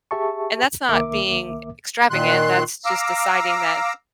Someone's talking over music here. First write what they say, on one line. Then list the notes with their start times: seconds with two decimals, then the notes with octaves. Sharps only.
And that's not being e extravagant, that's just deciding that
0.11 G4 G#4 E5 A5 C#6
0.89 C2 D#3 A#3 A#4 E5 D6
2.10 A#2 D#3 C6 F#6
2.85 F5 A#5 D6 E6